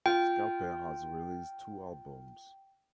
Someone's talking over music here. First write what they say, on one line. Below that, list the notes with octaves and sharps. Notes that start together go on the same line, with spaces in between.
Skalpel has released two albums.
F4 G5